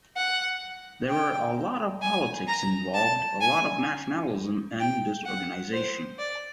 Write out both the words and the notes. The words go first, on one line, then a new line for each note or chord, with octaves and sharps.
There were a lot of politics involved, a lot of nationalism and disorganization.
F#5
G5
G#5
A#5
A5
G#5
G5
F#5
C5
D5